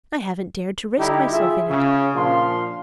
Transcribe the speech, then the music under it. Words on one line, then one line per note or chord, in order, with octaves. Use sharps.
I haven't dared to risk myself in it.
D3 G3 D#4 E4 G4
F4 G#4 E5
C#3
A#2 F3 D4 F5 C6